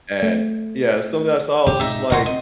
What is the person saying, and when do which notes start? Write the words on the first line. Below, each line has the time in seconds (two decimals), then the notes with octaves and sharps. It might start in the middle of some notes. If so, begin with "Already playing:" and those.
and Yeah, something I saw, I was just like,
0.23 A3
1.66 D2 G#2 B2 G4
1.80 D#4 E5
2.10 D2 G#2 B2 D#4 F#4 C6
2.26 C4 D#5